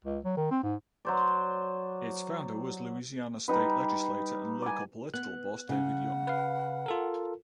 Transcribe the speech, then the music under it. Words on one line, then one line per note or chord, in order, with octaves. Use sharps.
Its founder was Louisiana state legislator and local political boss David Young.
C#2
F#3
D#3
C4
G#2
F#3 C5 D5
G3 D#4 B4
D5 G#5
B3 F#6
C#3 F#5
B4 F5
F4 A4 A#4